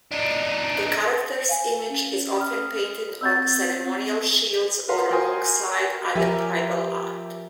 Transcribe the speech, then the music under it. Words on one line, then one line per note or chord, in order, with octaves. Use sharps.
The character's image is often painted on ceremonial shields or alongside other tribal art.
D4 D#4
F5 G#5
C#4
D#6 F6
C4 E6 G6 A6
C4
A#4 B4 F5 F#5 C6
F#4 A#4 G5 G#5 C6 D#6
F3 G4 A#4 E5 G#5